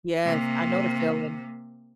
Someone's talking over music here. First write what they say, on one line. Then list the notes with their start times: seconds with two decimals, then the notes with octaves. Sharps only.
Yes. I know the feeling.
0.25 C3 A#3